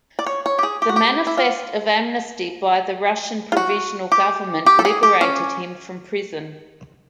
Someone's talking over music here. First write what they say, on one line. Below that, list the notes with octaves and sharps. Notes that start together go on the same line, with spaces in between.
The manifest of amnesty by the Russian Provisional Government liberated him from prison.
D5
C#5
C#5
G4
G#4
G4
F#4
G4
E4
F4
F4
F#4
G4
G4
A4
G#4
G4
C#4